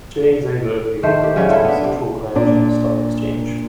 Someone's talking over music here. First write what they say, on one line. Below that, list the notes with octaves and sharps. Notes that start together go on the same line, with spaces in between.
James A. Murphy organized the Central Grange and Stock Exchange.
D#3 A3 C5
G4
C#3 F#3 G3 C#4
E4 F4 A4
B3 D4
C3
A#2 D4